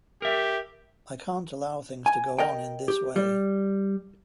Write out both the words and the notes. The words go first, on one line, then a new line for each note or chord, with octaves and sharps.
I can’t allow things to go on in this way.
G4 A#4 E5
G#5
A#4 D#5 G5
G4
G3